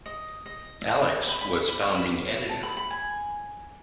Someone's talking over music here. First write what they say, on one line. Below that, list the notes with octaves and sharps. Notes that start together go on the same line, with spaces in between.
Alex was founding editor.
D#5
D#5
B5
B5
B5
C#6
B5
A5
B5
B5
G#5